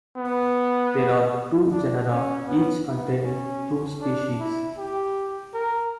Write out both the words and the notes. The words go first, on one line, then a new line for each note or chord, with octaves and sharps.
There are two genera, each containing two species.
B3
D4
C#4
B3
B3
C#4
D4
E4
G4
A#4